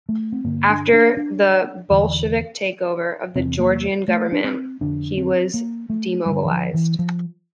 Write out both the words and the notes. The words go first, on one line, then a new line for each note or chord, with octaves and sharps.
After the Bolshevik takeover of the Georgian government, he was demobilized.
A3
C4
G2 D3 A#3
D4
D4
D4
E2 D3
E2 C3 C4
A#3
A3
D4
C4
F2 D3 D4
C4
A#3
A3
G2 D3 G3
E3
F3
E3
F3